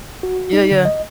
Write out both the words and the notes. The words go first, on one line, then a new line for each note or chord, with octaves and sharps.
Yeah, yeah.
F#4
D#4
D3
D#5